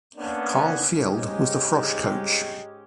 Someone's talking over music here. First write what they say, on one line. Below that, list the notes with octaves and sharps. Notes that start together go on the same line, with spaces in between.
Carl Fjeld was the frosh coach.
A#3 B3 C#4 D4
G#2 G#3 C#4 D#4 G4